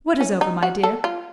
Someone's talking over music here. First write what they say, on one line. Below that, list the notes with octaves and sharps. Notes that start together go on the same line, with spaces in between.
"What is over, my dear?"
C#4
D#4
F#4
A4
F4